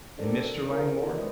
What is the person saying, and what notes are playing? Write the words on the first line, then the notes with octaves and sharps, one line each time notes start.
"And Mr. Langmore?"
D4 G4 A4 A#4 C5 D5
C3 F3 E4
C4 E4 G#4 A#4 C5
D4
B3 E4 F#4 G4 C5 C#5
G#3 C4 B4 C5 D5 D#5